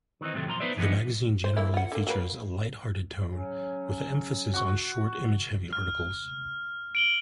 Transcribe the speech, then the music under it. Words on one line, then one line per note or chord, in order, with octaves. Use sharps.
The magazine generally features a light-hearted tone, with an emphasis on short, image-heavy articles.
D#3 E3 A3 C4 D#4
A2 C3 D#3 F#3 A3
F#2 A#2 F3 A#5 C6
B3 D#4 B4 C5 D5 E5
E3 F3 G3 B3 D4 D#4
C5
E3 A#3 E4
F4 F#5
D3 A#3
F#3 A#3 B4
C#3 F#3 C#4
F#4 C#6
F6
D7 F#7 G7